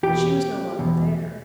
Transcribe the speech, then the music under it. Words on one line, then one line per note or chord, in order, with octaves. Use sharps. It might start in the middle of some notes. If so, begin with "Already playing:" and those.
But she was no longer there.
E2 B2 G4
E2 B2